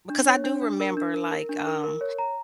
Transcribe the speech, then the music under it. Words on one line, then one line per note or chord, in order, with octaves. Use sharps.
because I do remember, like, um,
D4
C#5
D4
D4
A#4
D4
A#4
A#4
D4
A#4
A#4
C#5
A#5